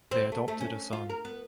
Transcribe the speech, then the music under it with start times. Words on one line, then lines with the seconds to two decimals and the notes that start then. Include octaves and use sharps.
They adopted a son.
0.11 C4
0.32 A3
0.48 A3
0.61 C#4
0.93 F4
1.10 A#4
1.25 B3